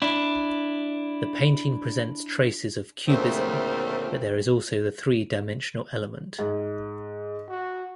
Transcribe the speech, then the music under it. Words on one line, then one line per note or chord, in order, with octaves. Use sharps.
The painting presents traces of cubism, but there is also the three-dimensional element.
D4 E4
D2 A#2 C#3 F3 A3 C4
G#2
F#4